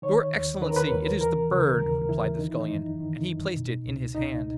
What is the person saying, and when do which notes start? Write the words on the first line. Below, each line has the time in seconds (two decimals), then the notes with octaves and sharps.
'Your Excellency, it is the bird,' replied the Scullion, and he placed it in his hand.
0.02 D#3 C#5
0.33 D#2
0.62 D#3 B4
0.69 A#4
0.77 B4
0.92 D#2
1.21 E3 A#4
1.50 C#3
1.80 D#2 A#4
2.09 E3 E4
2.38 D#3 D#4
2.48 E4
2.60 D#4
2.68 F#2
2.97 D#3
3.26 F#2
3.56 B2
3.86 C#2
4.15 C#2 D#4